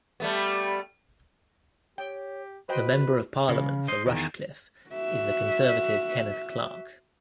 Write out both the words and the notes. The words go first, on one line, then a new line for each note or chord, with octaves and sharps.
The member of parliament for Rushcliffe is the Conservative, Kenneth Clarke.
G3 A3 B3
G4 C#5 G5
F#4 B4 C5 D#5 G5
C#3
C5 D#5
E2 D#3
F#4 E5